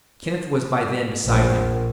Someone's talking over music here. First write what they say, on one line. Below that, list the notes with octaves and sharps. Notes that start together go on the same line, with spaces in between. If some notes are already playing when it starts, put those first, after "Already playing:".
Kenneth was by then beside him.
A#1